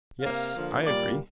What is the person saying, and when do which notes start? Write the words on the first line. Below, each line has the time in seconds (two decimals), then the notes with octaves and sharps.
Yes, I agree.
0.21 C3 A#3 F5
0.53 D3 F3 A#3
0.86 A#2 G3 A#3 D5